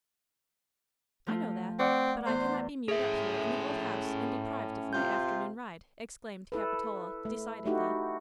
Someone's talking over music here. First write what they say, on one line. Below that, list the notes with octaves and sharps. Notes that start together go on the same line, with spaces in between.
"I know that; but I cannot be mewed up here in the old house and deprived of my afternoon ride," exclaimed Capitola decidedly.
F3 A3 F4
C4 D5 F#5 C#6
E2 B3 C5 C6
A2 C#4 G#4 E5
C3 F4 G6
E4 A4 B4
A3
A3 D#4 E4 F#4 G4